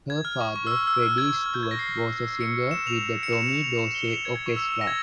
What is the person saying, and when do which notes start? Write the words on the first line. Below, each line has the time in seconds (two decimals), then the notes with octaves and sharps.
Her father, Freddie Stewart, was a singer with the Tommy Dorsey Orchestra.
0.10 G#6
0.25 F6
0.41 C#6
0.56 C#6
0.67 E6
0.71 C#6
0.87 E6
1.02 F6
1.18 G#6
1.46 F6
1.54 G6
1.63 G#6
1.71 A#6
1.79 C7
2.41 C#7
2.71 E7
2.87 F7
3.23 C#7
3.33 E7
3.49 F7
3.64 F7
3.79 E7
3.95 G7
4.04 E7
4.10 F7
4.25 G#6
4.36 G#6
4.46 C#6
4.56 E6
4.72 E6
4.81 A#6
4.87 G#6